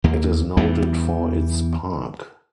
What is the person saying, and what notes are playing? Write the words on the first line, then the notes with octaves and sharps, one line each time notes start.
It is noted for its park.
D#2 A#3
E2 E3 G3 B3